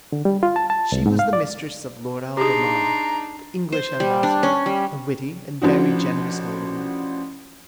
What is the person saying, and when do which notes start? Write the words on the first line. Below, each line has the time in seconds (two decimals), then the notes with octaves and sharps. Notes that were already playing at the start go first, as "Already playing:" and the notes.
She was the mistress of Lord Albemarle, the English ambassador, a witty and very generous nobleman.
0.12 D3
0.25 G3
0.43 F4
0.56 A5
0.70 A5
0.92 C2
1.06 G#2
1.19 F5
1.33 D5
2.37 D4 D#4 G4 G#4 A#5 C6
3.72 C5
4.00 G3
4.23 D4
4.43 C#4
4.66 G3
5.62 A1 F3 D4 F#4